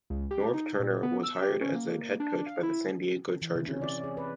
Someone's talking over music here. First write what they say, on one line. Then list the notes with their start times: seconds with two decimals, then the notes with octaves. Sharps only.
Norv Turner was hired as the head coach by the San Diego Chargers.
0.10 C#2
0.31 G4
0.53 D#4
0.80 A#2
1.03 B3
1.23 E6
1.42 G4
1.61 C#4
1.75 A#3
2.20 D4
2.46 F5
2.63 E4
3.42 E3
3.55 C3
3.67 C#4
3.82 D5
4.04 G#4
4.17 B4